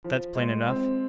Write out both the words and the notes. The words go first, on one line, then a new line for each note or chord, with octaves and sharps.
"That's plain enough."
F3
G#3
C4